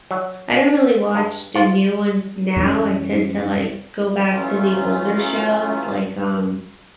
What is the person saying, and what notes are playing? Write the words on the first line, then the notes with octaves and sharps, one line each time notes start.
I don't really watch the new ones now. I tend to, like, go back to the older shows like, um,
F#3
G2
F4
F#2 E3 C4 C#4
E3 F#3 A3 C#4 F4